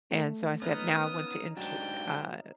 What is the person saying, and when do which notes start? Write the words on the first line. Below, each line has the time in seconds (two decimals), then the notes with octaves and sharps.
and so I said, “Now I want to enter “uh,
0.11 A3
0.62 B3 C#4 D#4 F5 D#6
1.57 G#2 D4 F#4 G5